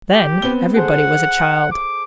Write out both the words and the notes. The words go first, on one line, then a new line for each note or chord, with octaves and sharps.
Then, everybody was a child.
G4
B3 C4 G7
G#4 A4 C5 F#5
D6